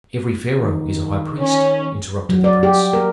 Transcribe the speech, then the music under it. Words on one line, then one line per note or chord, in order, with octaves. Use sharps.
"Every pharaoh is a high priest," interrupted the prince.
D#3
C#4
F#3
D5
G4
A#4